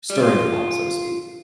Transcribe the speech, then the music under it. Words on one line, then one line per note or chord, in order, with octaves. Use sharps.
"Stirring the pot", so to speak
G3
F4